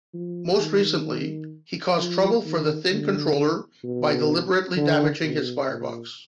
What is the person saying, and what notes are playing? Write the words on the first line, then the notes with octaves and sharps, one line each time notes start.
Most recently, he caused trouble for the Thin Controller by deliberately damaging his firebox.
F3
D#3
F3
D#3
D3
B2
D3
B2
A#2